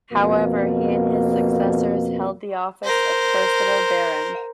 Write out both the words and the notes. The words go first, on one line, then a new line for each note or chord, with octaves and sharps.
However, he and his successors held the office of Cursitor Baron.
F2 B2 A#3
A#4 C5